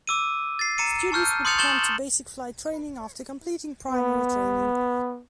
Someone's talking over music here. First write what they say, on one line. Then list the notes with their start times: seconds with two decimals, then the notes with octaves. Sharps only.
Students would come to Basic Flight Training after completing Primary Training.
0.07 D6 E6 D#7
0.59 A6 C7
0.78 A#5 C#7 D#7
1.12 A5 C#6 F6 G6
1.45 C6 D#6 G6 A6 C#7 F7
1.58 C#6 G6 A6 E7 F#7 G7
3.91 B3